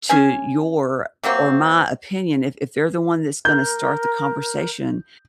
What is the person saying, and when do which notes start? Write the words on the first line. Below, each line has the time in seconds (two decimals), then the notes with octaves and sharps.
to your, or my opinion. If if they're the one that's gonna start the conversation,
0.09 C#4 G#4 G#5
1.23 C3 F#3 A#3 C4
3.45 A#4 G6